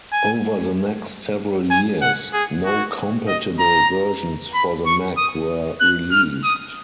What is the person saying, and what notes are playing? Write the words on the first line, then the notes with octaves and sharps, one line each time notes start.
Over the next several years, no compatible versions for the Mac were released.
G#5
G#5
F#5
G#4
F#4
D#5
A#5
B5
C#6
D#6
F#6
F6
D#6